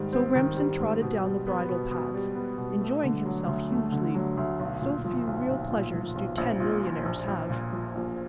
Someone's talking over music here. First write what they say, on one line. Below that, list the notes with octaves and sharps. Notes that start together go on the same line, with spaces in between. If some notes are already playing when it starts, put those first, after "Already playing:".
So Remsen trotted down the bridle paths, enjoying himself hugely, so few real pleasures do ten-millionaires have.
Already playing: G#2 D#3 G3
C4
D#3
G3
G#2
B2
G3
B3
B2
B2
G3
B3
B2
A3
D3
F#3
D2
A3
D3
F#3
D2
B1
A#2
F3
B1
B1
A#2
F3
B1
A#1
A#2
F3
A#1
A#1
A#2
F3
A#1